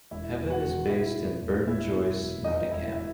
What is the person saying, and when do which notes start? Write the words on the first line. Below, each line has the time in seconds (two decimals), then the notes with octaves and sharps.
Heaven is based in Burton Joyce, Nottingham.
0.11 E1 E4 E5
0.38 E2
0.50 F#4 F#5
0.63 E1
0.89 B2 E4 E5
1.16 E1
1.42 E2
1.67 E1 E4 E5
1.93 B2
2.19 E1
2.44 E2 D#4 D#5
2.71 E1 E4 E5
2.96 B2 E4 E5